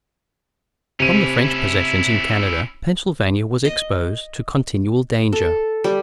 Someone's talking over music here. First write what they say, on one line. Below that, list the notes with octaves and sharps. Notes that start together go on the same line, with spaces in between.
From the French possessions in Canada, Pennsylvania was exposed to continual danger.
C3 C#4 E4 D#7
D#5
A4
G3